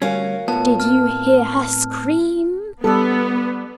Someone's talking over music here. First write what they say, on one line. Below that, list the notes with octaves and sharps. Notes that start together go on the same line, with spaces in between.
Did you hear her scream?
D2 G#2 G3 C#4 F#4 A#4 F5
A2 B3 F4 C#5 A5
C4 A5 F6
G3 B3 A4 B4 D5